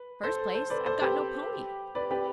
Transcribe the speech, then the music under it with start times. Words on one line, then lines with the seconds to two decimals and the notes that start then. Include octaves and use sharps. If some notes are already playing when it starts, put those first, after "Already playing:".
"First place, I've got no pony."
Already playing: B4
0.23 A4 C5
0.55 A4 C5
0.70 B4 D5
0.86 A4 C5
1.02 G4 B4
1.95 B4 D5
2.11 G4 B4